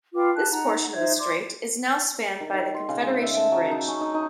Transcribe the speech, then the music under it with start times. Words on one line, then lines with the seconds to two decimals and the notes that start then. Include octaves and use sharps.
This portion of the strait is now spanned by the Confederation Bridge.
0.15 F4 B4 G5 D6
0.35 A5 F#6
0.51 D#4 F#5 A#5
0.94 D#4 C5 E5 G#6
1.19 D5 C6 D6
2.40 D#3
2.54 D#3
2.75 C6
2.89 C#3
3.03 G#3
3.23 E5
3.37 A5
3.52 F#3
3.71 D#4
3.88 C#4
4.01 D#4
4.14 D#4